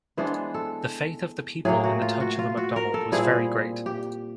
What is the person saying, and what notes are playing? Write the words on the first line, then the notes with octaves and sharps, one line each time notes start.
The faith of the people in the touch of a Macdonald was very great.
E3 G#3 B3 D4 C5
A4
A2 F#3 A#3 G#4
F#4
F4
F#4
F4
F#4
A#4
A4
A#2 G3 C4 E4 G#4
G4